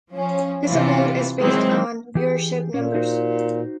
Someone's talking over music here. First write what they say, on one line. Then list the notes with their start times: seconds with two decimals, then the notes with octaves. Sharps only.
This award is based on viewership numbers.
0.13 F3 C#4
0.66 C3 E3 F4
1.39 D#3 E3 F#3 G#3 C4
2.15 E3 G4 G#4
2.74 A#2 C#4
2.94 D#4 F#4 C5